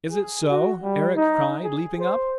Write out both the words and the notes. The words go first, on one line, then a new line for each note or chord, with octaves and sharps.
"Is it so?" Eric cried, leaping up.
G#4
F#4
G3
D#4
G#4
C5